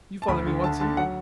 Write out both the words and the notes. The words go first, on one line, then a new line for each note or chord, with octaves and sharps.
You follow me, Watson?
A5
D2 B5
D3
D3 A5
D3 A5
F#3 F#5